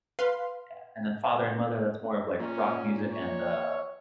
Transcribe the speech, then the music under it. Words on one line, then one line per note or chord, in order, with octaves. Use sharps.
Yeah, and then father and mother, that's more of, like, rock music, and, uh,
B4 F5 C6
A#2 C#4
C#5